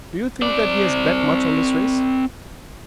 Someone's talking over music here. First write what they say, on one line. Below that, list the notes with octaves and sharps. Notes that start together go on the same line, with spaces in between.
"Do you think that he has bet much on this race?"
C4 D5